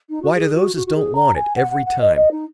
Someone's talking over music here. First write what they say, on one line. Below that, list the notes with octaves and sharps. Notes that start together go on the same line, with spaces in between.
Why, to those as don't want it, every time.
D#4
F#4
G#4
F#4
F#4
F#4
G#4
A#5
G#5
F#5
F#5
F#5
D#5
D#5
D#4